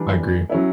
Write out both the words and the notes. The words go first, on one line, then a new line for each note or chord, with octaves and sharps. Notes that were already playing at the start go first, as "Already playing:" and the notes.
I agree.
Already playing: E3 G3 D4
F#3 C#4 E4